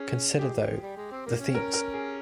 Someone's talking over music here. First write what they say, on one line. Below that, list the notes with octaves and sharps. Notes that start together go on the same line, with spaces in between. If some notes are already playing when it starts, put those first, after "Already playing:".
Consider though, the themes.
Already playing: C#4 G#4
G#3 G4
E3
F3
G3
G#3
C4
A#3
C#4
A#4
A#4
G#4